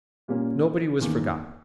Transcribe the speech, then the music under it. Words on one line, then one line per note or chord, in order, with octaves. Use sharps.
Nobody was forgotten.
A#2 G3 A#3 C#4
E2 D#3 A#3